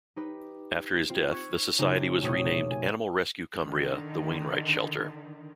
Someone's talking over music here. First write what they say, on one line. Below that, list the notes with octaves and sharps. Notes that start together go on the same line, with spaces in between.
After his death the society was renamed "Animal Rescue Cumbria - The Wainwright Shelter".
D#4 G4 B4
C4 F4
C#6 E6 F#6 G#6 B6 C#7
C#3 A3 C4 D#4 F4 G4
F1 B2 A3 G4 C#5 D#6
G#5
D3 D#3